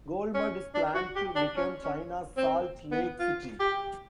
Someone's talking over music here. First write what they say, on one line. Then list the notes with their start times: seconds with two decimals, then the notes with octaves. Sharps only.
Golmud is planned to become "China's Salt Lake City".
0.34 C#4
0.74 D4
0.95 F#4
1.16 G4
1.36 D4
1.56 C#4
1.84 C#4
2.37 C4
2.91 B3
3.19 F4
3.60 G4